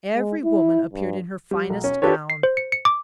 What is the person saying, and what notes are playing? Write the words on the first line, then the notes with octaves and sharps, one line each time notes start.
Every woman appeared in her finest gown.
G#3
E4
G2
G3
B1
C#4
D4 F4 G4 A4 B4 C#5
C7
C5
C#7
C#7
D6